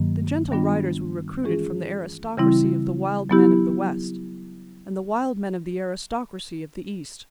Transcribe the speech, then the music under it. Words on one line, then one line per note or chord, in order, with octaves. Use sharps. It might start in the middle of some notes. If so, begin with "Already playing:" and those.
The Gentle Riders were recruited from the aristocracy of the wild men of the West and the wild men of the aristocracy of the East.
Already playing: G2 D#3 F#3 A#3
D#3 G3 B3 D4 F4
E3 G#3 C#4 F4 G#4
C#3 E3 G3 C4 E4
F#3 B3 E4 G4